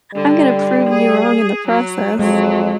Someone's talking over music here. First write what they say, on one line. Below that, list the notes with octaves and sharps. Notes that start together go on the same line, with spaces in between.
I'm gonna prove you wrong in the process."
D3 G3
G#4
F#3
F2 F#3 G#3